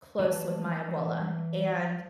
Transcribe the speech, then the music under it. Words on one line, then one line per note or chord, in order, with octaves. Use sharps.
close with my abuela, and,
E3 B4 A5